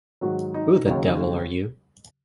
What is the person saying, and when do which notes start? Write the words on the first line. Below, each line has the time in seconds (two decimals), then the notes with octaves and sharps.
Who the devil are you?
0.21 G#2 D#3 F#3 F#4
0.54 D#4
0.86 D#2 C#3 F#3 D#4